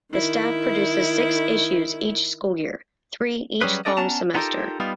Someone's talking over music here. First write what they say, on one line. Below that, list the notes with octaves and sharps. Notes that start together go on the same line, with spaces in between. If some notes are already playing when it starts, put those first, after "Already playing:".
The staff produces six issues each school year, three each long semester.
D#3 E4
F#3 G3 C#4 G#4 B4
C#4 D4 A4 D5 D#5
B3 C#4 D4 A5 A#5
B3 D#4 F4 G4 A4 A#4
G3 B3 D#4 F4